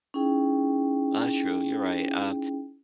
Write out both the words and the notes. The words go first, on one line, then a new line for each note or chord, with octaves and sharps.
That's true, you're right. Uh,
C#4 D#4 E4 G#4 G5